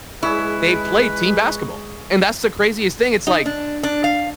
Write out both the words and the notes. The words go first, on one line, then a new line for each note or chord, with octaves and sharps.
they played team basketball, and that's the craziest thing, it's like,
G#3 E4 G#4 B4 C#5
D#4
D4
D4
F5